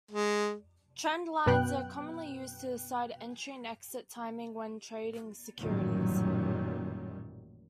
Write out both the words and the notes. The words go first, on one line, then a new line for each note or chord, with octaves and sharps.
Trend lines are commonly used to decide entry and exit timing when trading securities.
G#3
F#2 B2 B3 G5 F#6
A1 F#2 A#2 D#3 F#3 G3